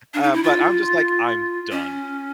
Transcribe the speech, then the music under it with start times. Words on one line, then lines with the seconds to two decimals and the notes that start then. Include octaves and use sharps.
Uh, but I'm just like, "I'm done,"
0.14 D4
0.23 D#4
0.33 E4
0.43 F4
1.71 C#4